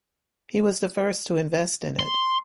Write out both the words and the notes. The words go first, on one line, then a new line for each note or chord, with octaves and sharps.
He was the first to invest in it.
C6